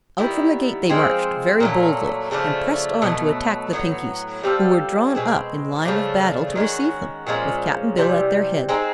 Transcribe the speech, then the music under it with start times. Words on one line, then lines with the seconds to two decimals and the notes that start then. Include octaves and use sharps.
Out from the gate they marched very boldly and pressed on to attack the Pinkies, who were drawn up in line of battle to receive them, with Cap'n Bill at their head.
0.18 D#3 G3 B3 E4
0.90 F3 G#3 C4
1.60 A#2 F#3 A3
2.31 C#3 F3 A3 D4
3.02 B2 F#3 A3
3.73 A2 F#3 B3
4.43 G3 C4 F4 A4
5.15 B2 G#3 C4
5.85 C#3 F3 A3 D4
6.55 D#3 G#3 C#4 F#4
7.27 A#2 F3 G#3 C#4
7.97 C3 E3 G3
8.69 G#3 C4 D#4